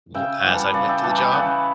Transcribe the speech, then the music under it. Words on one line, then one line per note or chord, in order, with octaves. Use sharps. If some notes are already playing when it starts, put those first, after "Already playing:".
w as I went to the job.
C#3 E5 G5
E3 G3
F#5 A5
C#3 D5 F#5
E5 G5
E3 G3 F#5 A5
G5 B5
C#3 F#5 A5